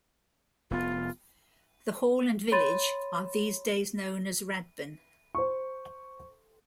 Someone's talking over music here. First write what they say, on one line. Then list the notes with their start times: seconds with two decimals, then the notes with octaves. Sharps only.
The hall and village are these days known as Radbourne.
0.71 F1 B3 F4
2.52 C#5 B5 C6 A6 D#7
5.35 C5 C#6